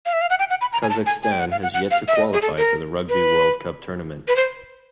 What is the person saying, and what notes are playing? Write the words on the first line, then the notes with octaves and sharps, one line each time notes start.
Kazakhstan has yet to qualify for the Rugby World Cup tournament.
F5
E5
F5
F#5
G5
F#5
B5
A#5
G#5
A5
G#5
G#5
G5
F#5
F5
F#5
F#5
F5
E5
D#5
G#4
A4
A#4
B4
B4
C5